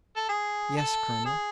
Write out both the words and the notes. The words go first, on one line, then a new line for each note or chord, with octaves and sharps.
"Yes, colonel."
A4
G#4
A4
G#4